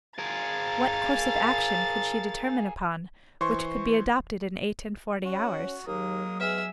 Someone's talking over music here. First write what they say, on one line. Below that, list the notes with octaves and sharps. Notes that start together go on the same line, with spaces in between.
What course of action could she determine upon, which could be adopted in eight-and-forty hours?
G#4 A#4 F5 A6
E3 C5 C6 C#6
C#4 F#4
D#2 F#3 G#3 A#3 D#6
G#3 B3 G#4 E5 F6